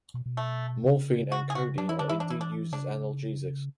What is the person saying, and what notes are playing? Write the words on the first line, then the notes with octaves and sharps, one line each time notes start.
Morphine and codeine are indeed used as analgesics.
B2
B2
A3
C#3
F#4
G#4
F#4
F#3 D4
E3 E4
D3 D4
E3 E4
D4
E4
D4
C#3 D4